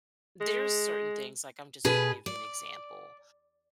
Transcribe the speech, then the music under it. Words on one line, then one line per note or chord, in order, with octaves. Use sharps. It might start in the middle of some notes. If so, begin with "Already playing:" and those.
there's certain things like, I'm just gonna give you an example.
G#3
B2 G#4 B4
D5